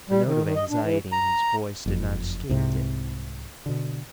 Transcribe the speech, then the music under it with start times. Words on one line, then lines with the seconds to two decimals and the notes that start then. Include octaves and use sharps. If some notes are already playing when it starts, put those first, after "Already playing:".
The note of anxiety in his voice did not escape Dick.
0.10 G3
0.25 D#3
0.44 D#3
0.55 D#5
0.70 D4
0.83 E3
1.12 A#5
1.86 F#1 F2
2.49 C2 G#2 C3
3.66 B2 D3